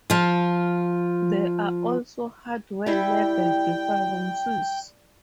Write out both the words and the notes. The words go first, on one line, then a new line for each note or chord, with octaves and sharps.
There are also hardware-level differences.
F3 F4
G3 E4 G5